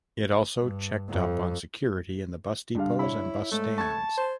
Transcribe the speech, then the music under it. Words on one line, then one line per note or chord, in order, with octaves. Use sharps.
It also checked up on security in the bus depots and bus stands.
G2
F2
G2 D3 G3 D4 F5
E4 C#5 B5
G#2 A3
A5 C#6 G#6
C5